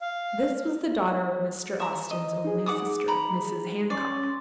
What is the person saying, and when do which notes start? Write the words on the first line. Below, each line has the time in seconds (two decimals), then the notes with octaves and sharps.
This was the daughter of Mr. Austen's only sister, Mrs. Hancock.
0.01 F5
1.80 E5 A#5
2.11 D#5
2.44 D#4 G#4
2.66 F#5 D6 D#6
3.08 A#5 B5
3.90 C#4 D5 C6 C#6